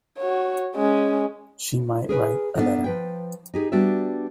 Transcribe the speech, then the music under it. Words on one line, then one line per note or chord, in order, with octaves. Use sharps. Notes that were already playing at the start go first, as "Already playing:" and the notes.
She might write a letter.
F#4 C#5
G#3 C#4
G#4 A#4 B4 G#5
B3 D4 F#4 A4 A#4
F3 B4 G5
D#4 G4 G#4
G3 B3 D4 F#4 E5